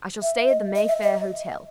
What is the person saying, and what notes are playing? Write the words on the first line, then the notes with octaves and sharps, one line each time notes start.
I shall stay at the Mayfair Hotel.
E5
D#5
D#5
E5
D#5